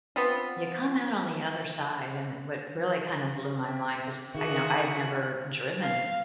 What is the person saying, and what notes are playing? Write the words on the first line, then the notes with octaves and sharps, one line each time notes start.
you come out on the other side, and what really kinda blew my mind 'cause I you know, I had never driven
B3 C4 F4
E5 G5
D#3 E4 F#4 G#4 F5 D6
F5